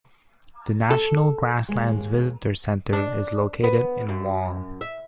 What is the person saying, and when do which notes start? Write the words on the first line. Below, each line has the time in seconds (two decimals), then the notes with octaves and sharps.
The National Grasslands Visitor Center is located in Wall.
0.91 A4
1.68 D#2 G#3
2.93 D4
3.64 B3
4.09 F#2
4.81 E5